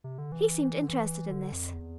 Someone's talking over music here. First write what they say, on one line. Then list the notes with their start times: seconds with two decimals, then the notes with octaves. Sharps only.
He seemed interested in this.
0.04 C3
0.18 D3
0.32 E3
0.83 D3
0.89 E3
1.31 D3
1.53 F2
1.73 E2